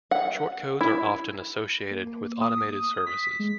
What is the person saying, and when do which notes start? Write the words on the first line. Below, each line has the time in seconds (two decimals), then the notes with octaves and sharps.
Short codes are often associated with automated services.
0.11 F#5
0.81 E4
1.91 A#3
2.41 D#6
3.06 B6
3.39 G#3